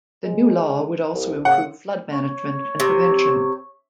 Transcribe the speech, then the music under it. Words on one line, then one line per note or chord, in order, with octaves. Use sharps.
The new law would also improve flood management and prevention.
G#3
C2
C#3 F#5
C#5
C3